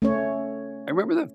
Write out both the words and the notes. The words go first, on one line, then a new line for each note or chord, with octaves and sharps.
I remember the
A3 C#4 C#5